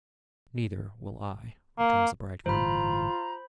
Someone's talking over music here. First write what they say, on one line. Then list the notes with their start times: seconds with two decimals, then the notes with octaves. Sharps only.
'Neither will I,' returns the bridegroom.
1.79 A#3
2.46 G1 A2 E3 F4 C5 A#5 B5